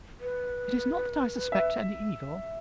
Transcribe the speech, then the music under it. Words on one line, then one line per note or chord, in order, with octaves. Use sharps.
It is not that I suspect any evil.
B4
E5